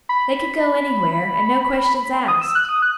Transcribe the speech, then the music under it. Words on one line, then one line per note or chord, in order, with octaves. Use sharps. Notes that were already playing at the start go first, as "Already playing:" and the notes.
They could go anywhere, and no questions asked.
B5
D#6
E6
F#6
D#6
F#6